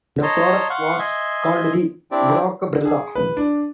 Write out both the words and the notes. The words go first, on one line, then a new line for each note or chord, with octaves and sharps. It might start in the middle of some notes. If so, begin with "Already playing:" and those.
The product was called the Brockabrella.
C#5 D#5 A5 A#5 C6
F5 F#5 C6 C#6
D#5 E5 G#5 C6
C4 D4 E4 G4 D5
G#4
B4
D4